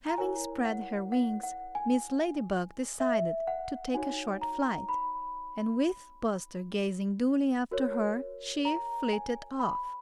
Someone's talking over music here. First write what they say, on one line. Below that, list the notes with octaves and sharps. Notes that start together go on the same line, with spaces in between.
Having spread her wings, Mrs. Ladybug decided to take a short flight. And with Buster gazing dully after her she flitted off.
A#5
E4 A#4 C#5 G#5
F#5
F#5
F#5
G#5
E5
F#5
D#4 F#4 C#5 G#5
A#5
B5
F#4 A#4 C#5
A#5
G#5
B5